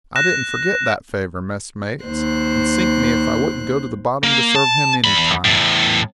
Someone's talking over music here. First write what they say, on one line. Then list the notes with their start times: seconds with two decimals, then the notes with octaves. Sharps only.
I didn't forget that favor, messmates, and sink me if I wouldn't go to the bottom to serve him any time.
0.16 F#6 A#6 E7
2.05 D#2 C5 F#6
4.24 A#3
4.55 A5
5.04 E2 B5
5.44 E2 A2